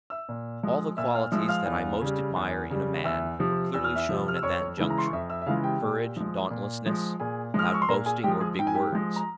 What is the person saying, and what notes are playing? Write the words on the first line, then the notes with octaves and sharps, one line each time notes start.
All the qualities that I most admire in a man were clearly shown at that juncture: courage and dauntlessness, without boasting or big words.
E5 E6
A#2
F3 G#3
A#2 E5 E6
F5 F6
F3 G#3 E5 E6
F5 F6
E2
C#3 G3
E2
C#3 G3
E2 E5 E6
C3 F3
E2 E6
F6
E5 E6
C3 F3
F6
E6
F2 C#5 C#6
C#3 E3 G#3
A#5
C6
C#6
F2 E5 E6
E5 E6
E5
C#3 E3 G#3 F4 F5
G4 G5
A#2
F3 G#3
A#2
F3 G#3
A#2 G#4 G#5
F3 G#3 F6
E6
C#6
C6
A#2 A#4 A#5
G#4 G#5
F3 G#3 G4 G5
G#4 G#5
G#2 G5
G#5
G4 G5
F3 G#3
A#5